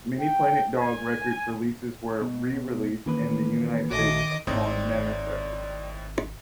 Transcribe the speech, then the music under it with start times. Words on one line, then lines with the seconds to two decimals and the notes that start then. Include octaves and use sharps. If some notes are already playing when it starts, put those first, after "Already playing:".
Many Planet Dog Records releases were re-released in the United States on Mammoth Records.
0.20 G5
0.78 G#5
2.21 B2
3.06 D#3 E3 A#3 C#4 D4 B4
3.91 A#1 D#3 A3 F#4 D#5 D6
4.47 G#1 A2 C4 D#4 D5